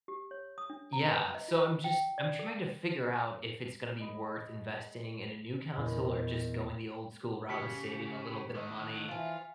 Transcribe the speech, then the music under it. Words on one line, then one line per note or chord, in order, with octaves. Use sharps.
Yeah. So, I'm just I'm trying to figure out if it's gonna be worth investing in a new console or just going the old school route and saving a little bit of money.
G4
C#5
D#6
D4
A#5
B4
D#5
F4
G5
D5
A4
G#4 D#5 B5 D#6
E2 A#2 D#5 B5
C#3 G4 B6 C#7
D3 D#3
E3 F3 F4